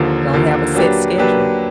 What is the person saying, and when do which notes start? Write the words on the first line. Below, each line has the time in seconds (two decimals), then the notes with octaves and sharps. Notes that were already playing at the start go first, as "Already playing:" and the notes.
Don't have a set schedule.
Already playing: D#2 D3 F3 A#3
0.34 D#2 D3 F3 A#3
0.75 F#3 A#3 D4 G4 B4
1.18 F#3 A#3 D4 G4 B4